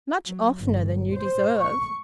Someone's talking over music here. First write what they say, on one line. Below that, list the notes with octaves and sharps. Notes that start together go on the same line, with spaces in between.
"Much oftener than you deserve."
F#3
G1
C5
C#6